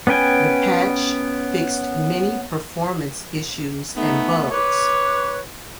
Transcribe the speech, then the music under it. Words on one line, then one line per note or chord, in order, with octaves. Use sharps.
The patch fixed many performance issues and bugs.
B3 C#4 B4 G5 G#5
A3 B3 D#4
B4 C#5 D6